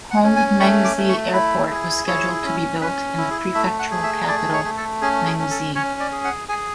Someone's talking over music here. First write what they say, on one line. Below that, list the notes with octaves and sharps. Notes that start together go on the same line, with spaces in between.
Honghe Mengzi Airport was scheduled to be built in the prefectural capital Mengzi.
F#5
C#4
G#5
A3 C#6
D6
A3
C#6
E4 B5
G#4
E4 C#5
C#4
C#4 B4
E4
G#4
A3 E5
F#5
G#4
E5
A3 D5
C#5
A3
A4
C#4 G#4
G#4
C#4
A4
C#4 C#5
D5
G#4
F#5
G#4 G#5